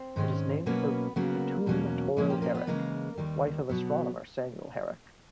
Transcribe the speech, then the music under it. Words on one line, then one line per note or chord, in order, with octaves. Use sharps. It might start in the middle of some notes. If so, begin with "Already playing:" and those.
It is named for Betulia Toro Herrick, wife of astronomer Samuel Herrick.
Already playing: C4 C5
G#2 D#3 G#3 C#4
B2 F#3 A#3 B3 C#4 B4
C#3 F#3 A#3 B3 A#4
E2 B2 F#3 A#3 C#4
A#2 F3 G#3 A#3 C#4 G#4
G3 G4
A#3 A#4
B3 B4
C#3 E3 G#3 A#3 A#4
D#2 D#3 G3
B2 F#3 B3